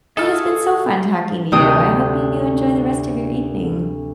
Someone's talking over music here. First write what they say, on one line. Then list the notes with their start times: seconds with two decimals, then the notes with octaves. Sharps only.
It has been so fun talking to you, I hope you enjoy the rest of your evening.
0.17 A3 G#4 A4 D#5 F6
1.52 D2 G2 C3 G5 D#6